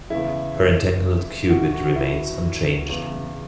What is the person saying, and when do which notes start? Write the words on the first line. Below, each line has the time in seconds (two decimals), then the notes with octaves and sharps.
Her entangled qubit remains unchanged.
0.10 E2 C#3 E3 E4
1.49 F#4
1.73 F#4
1.96 E4
2.89 E2 C#3 E3